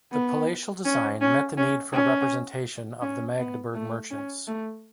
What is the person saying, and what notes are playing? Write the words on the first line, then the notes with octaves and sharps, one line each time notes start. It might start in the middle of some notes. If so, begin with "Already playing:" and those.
The palatial design met the need for representation of the Magdeburg merchants.
B3
C#4
C#4
C#4
C#4
C#4
B3
A3
C#4
A3